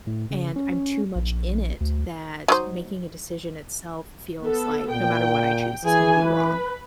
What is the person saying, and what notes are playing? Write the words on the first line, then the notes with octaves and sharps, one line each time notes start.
and I'm too much in it that making a decision itself feels like no matter what I choose is gonna be wrong,
A2
C#3
C#4
A#1
D2
F#3 D#4 C5
B3 A4
A#2 G5
E3 G#4 G#5
B4